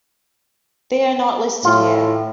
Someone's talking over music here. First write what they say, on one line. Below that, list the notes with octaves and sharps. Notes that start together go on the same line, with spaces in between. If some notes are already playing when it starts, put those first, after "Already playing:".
They are not listed here.
A2 F4